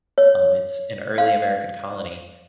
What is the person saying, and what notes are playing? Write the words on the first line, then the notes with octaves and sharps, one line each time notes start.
Um, it's an early American colony,
C#5
F5